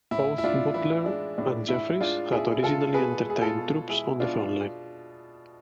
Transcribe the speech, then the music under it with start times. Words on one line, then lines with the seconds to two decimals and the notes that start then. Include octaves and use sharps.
Both Butler and Jeffries had originally entertained troops on the frontline.
0.11 A2 E4
0.38 E4
0.44 A2 D4 F4
0.74 E3 E4
1.06 G#3 D4
1.38 A2 D4
1.68 A2 E4
2.01 G#3 D4 F4
2.31 B2 E4 G#4
2.63 G#3 F4 A4
2.94 B2 G#4 B4
3.26 G#3 G#4
3.41 F4 A4
3.57 B2
3.89 G#3 E4 G#4
4.20 B2 D4 F4